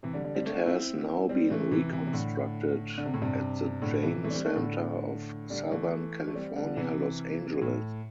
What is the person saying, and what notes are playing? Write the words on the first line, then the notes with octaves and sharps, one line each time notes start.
It has now been reconstructed at the Jain Center of Southern California, Los Angeles.
C3 E3
D3 G3
D3 G3
G3 C4
A3 D4
C4 E4
G3 C4
E3 A3
C3 E3
C3 E3
C3
A2 D3
D3
C3
A2
G2 C3
A2 D3
C3 E3
E3 A3
D4
G3 C4
A3 D4
A2 D3
D3 G3
E3 A3
A3
G3 C4
D3 G3
C3 E3
A2